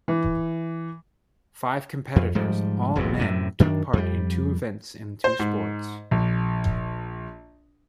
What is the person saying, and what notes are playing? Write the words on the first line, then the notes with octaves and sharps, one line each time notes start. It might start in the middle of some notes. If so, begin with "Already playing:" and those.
Five competitors, all men, took part in two events in two sports.
E3
F2
G#2 F3 G3
E1 B1 F2 G#2
F#2 A2 C3
F#2 D#3 D4
F2 G3
C5
G#2
A#1